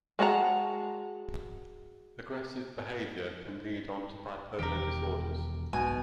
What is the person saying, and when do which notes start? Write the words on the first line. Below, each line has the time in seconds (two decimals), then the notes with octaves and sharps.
Aggressive behaviour can lead onto bipolar disorders.
0.19 G#3 F#4 F#5 A5 A#5
4.59 E1 E2 D#3 G4 A#4
5.73 F#1 B1 G#2 B2 G#5